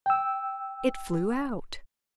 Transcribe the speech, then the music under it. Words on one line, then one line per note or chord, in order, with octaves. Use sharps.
It flew out.
G5 E6